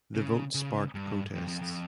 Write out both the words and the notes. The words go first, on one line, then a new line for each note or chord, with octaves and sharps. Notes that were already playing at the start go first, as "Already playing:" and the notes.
The vote sparked protests.
C#3
C#3
G2
F2
F2
F2